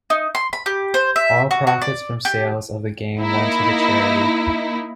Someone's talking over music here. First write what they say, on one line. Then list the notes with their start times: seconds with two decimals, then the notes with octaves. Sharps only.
All profits from sales of the game went to the charity.
0.10 D#4
0.35 C6
0.53 B5
0.66 G4
0.94 C5
1.16 E5
1.51 F#4
1.67 F#4
1.82 D5
2.25 G4
3.19 A#3 D#4 E4